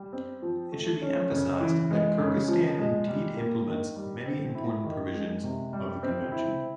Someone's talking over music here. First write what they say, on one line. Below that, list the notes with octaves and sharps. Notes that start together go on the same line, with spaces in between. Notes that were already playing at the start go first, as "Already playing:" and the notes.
It should be emphasized that Kyrgyzstan indeed implements many important provisions of the Convention.
Already playing: G3
C4
F3
A3
C#4
C#3
E3
G#3
C#3
F3
G#3
G3
A#3
D#3
G3
C4
E4
D#3
G#3
C3
G3
C4
E4